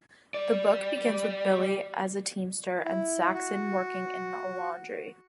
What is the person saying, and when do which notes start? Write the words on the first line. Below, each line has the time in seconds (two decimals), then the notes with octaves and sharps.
The book begins with Billy as a Teamster and Saxon working in a laundry.
0.34 G3 D5
2.85 E4
3.34 F#4